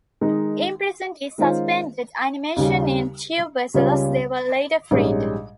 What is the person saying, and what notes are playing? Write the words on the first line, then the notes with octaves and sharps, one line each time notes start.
Imprisoned in suspended animation in tube vessels, they were later freed.
D#3 G#3 D#4
D#3 G#3 C#4 F4 C5
D#2 C#3 G3
C#2 C#3 G3 C#4 F4
A#1 G#2 G3 C#4 G#4